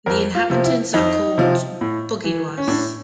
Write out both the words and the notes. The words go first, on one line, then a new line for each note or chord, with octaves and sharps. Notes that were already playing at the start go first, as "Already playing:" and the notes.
The inhabitants are called "Boginois".
F2 A#4
F4
C3 F3
E4
F2 D#4
C3 F3
A2
E3
C#4
A2 D4